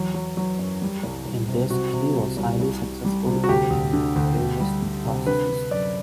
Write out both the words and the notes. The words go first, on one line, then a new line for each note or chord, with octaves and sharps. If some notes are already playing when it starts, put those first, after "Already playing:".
In this he was highly successful and invented various new processes.
Already playing: E2 F#3
F#3
F#3
F#2
G3
C2
C2
C3
C3 F#4
C3
C2
C2
C2
G3
G3
C3
F#4
D2 G4
D2
D3
D2
D2
G3
G3
C3
D3 B4
D3
F#2 D5